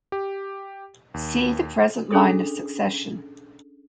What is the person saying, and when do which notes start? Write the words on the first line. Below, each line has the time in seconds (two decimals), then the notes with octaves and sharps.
See the present line of succession.
0.12 G4
1.14 D#2
2.11 C#4 D4 G#4 A4 D#6